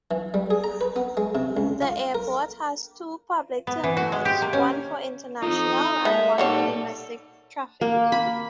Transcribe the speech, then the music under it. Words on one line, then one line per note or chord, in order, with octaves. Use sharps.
The airport has two public terminals-one for international and one for domestic traffic.
E3
G3
G#4
A#5
B4
B3
G#3
C3
C#2
F4
A#4
B3
E3
F#4
G#3
G4
A#3
C#4
D#4 F4 A4
G#3 A3 E5
G3 A#3 D#4 A4 C#5 F#5
A#3
B5